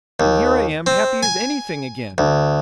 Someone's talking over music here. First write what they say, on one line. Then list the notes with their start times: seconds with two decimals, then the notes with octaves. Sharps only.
And here I am happy as anything again.
0.20 D#2
0.86 C4
1.23 G#5
2.18 D2